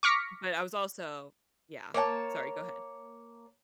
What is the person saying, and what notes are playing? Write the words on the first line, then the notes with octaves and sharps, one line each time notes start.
But I was also Yeah, sorry, go ahead.
C#6 D6 F6 A#6 B6 C#7
A#3 C#5 F#5 A5